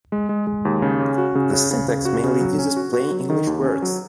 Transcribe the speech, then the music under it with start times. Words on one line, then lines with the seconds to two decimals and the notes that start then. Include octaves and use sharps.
The syntax mainly uses plain English words.
0.12 G#3
0.29 G#3
0.47 G#3
0.65 D#2
0.82 C#3
1.00 C#4
1.18 F#4
1.35 C#3
1.53 C#3
1.71 C#3
1.88 C#3
2.05 F#4
2.24 C#3
2.41 F#3
2.59 C#4
2.77 F#4
2.93 F#4
3.12 F#3
3.30 D#3
3.47 D#2
3.64 C#4
3.82 F#3